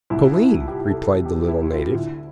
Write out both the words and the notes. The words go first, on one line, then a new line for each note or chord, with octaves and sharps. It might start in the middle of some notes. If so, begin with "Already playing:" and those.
"Toline," replied the little native.
C2 A#2 E4
E4
G4
G4
A4
A4
G4
E4
F4
D2 D3 E4